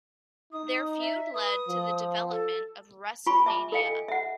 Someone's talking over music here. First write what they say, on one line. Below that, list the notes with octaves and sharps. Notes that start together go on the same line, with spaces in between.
Their feud led to the development of WrestleMania.
D#4 D#6
E5
B4 D#6
F3
A4
F4 G#5 B5 C#6
E5 A5 D6
A4 D#5 F5 G5 G#5
E5 F#5